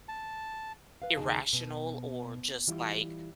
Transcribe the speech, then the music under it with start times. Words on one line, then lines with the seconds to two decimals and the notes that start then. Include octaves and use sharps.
irrational or just like
0.08 A5
1.02 B4 F5
1.17 D#2 G#2 C#3 D#4 G#4 A5
1.53 B2
2.67 E3 G3 E4 F4